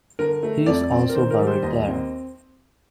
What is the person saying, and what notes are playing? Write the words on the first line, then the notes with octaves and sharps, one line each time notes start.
He is also buried there.
D3 A#4
A3
F2 D5
C4
A#4
D#3 C5
A#4
G3
C5
D#2 D#5
C4